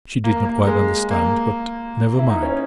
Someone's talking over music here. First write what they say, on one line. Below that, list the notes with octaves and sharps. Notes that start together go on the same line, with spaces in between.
She did not quite understand--but never mind.
A#3
A#3
G#3
A#3
E4
D#4
C#4